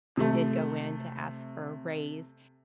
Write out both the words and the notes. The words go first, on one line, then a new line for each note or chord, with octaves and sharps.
I did go in to ask for a raise,
C3 A3